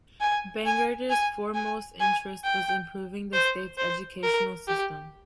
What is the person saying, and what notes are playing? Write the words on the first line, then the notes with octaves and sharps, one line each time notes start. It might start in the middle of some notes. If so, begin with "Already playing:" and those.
Bangerter's "foremost interest was improving the state's educational system".
G#5
G#5
G#5
G#5
G#5
G5
C5
C5
A#4
G4